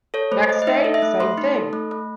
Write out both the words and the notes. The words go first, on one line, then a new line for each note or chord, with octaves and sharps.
Next day, same thing.
A4 C#5
A3 C5
A3 D#5
D#5
D#4 E5
A4
E5
A3
A3 C6
D#4
A4
A3
A3